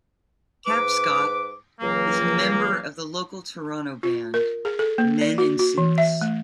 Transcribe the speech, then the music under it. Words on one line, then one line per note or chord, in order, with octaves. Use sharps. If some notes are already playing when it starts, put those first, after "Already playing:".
Tapscott is a member of the local Toronto band, Men in Suits.
G#2 B4 D6
C#2 E3 F#3 A#3
F4
A#4
G#4
A4
A#3
D5
F#4
F#4
E3
E5
A3